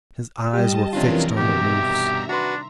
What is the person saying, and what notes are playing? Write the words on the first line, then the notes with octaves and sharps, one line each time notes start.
His eyes were fixed on the roofs.
G3 G4 D#5 A5
F2 C3 D#3 E3 C#4 D4 F4 A#4
G2 B2 G4 E5 A#5
D4 F#4 B4 A#5 C6